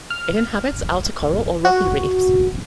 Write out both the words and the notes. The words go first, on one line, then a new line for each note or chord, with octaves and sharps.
It inhabits outer coral or rocky reefs.
F6
F#4